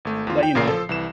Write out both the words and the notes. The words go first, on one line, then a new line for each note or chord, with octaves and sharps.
but, you know
G#1 A3
E2 F4
G5
A1 A#2 C#3 A#4 C7
F3 A4
C2 E3 E7